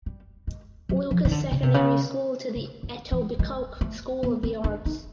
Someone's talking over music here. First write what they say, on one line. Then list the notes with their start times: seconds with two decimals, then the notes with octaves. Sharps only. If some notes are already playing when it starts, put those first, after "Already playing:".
Lucas Secondary School to the Etobicoke School of the Arts.
0.06 G3
0.47 G#3
0.89 F#3
1.11 F3
1.25 D#3
1.31 D3
1.51 C#3
1.63 C3
1.74 C#3
2.55 C#3
2.83 D3
3.12 E3
3.39 G#3
3.81 A3
4.23 B3
4.43 C4
4.64 D4
4.85 D#4